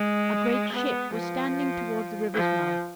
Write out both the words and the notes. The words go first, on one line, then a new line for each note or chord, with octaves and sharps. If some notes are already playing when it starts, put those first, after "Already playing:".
A great ship was standing towards the river's mouth.
Already playing: G#3
B3
F3
F3